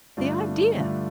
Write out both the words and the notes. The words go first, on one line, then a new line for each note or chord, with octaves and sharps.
The idea!
G2 D3 A3 D4 F4
G2 D3 A3 D4 F4